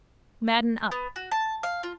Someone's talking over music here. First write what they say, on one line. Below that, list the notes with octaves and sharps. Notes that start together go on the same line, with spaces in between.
Madden up.
B3
F#4
A5
F5
F4